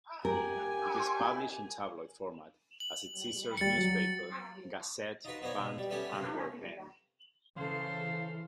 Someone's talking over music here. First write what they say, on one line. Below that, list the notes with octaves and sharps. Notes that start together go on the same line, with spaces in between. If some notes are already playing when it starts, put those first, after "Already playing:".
It is published in tabloid format as its sister newspaper "Gazet van Antwerpen".
G4 A#4 G#5
F#7
D#2 G3 A6 C#7
F#3
D#4 F4 F#4 B4
F3 B3 D#4 C#5 D5
B2
G3
G3 A3 B3 C#4 G4
C3 A#3
C#3 E3 A4 C5 F5 C6